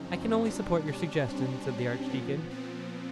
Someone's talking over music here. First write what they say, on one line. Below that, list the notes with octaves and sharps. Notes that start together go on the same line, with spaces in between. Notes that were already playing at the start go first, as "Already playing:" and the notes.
"I can only support your suggestion," said the Archdeacon.
Already playing: F#2 C#3 F3 C4 C#4 D#4
B2 G3 D4
C#4
C4
A#2 F3 B3
C4